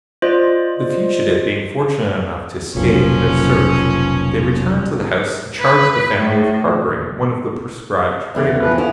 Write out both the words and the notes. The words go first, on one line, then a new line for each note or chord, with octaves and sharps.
The fugitive being fortunate enough to escape their search, they returned to the house and charged the family with harbouring one of the proscribed traitors.
F4 C5 D5 D#5
F1 B1 A#2 F3 C#4
B4
A2
E2 D3 G4
E3 F3 B4
B3 C#4 E4 F4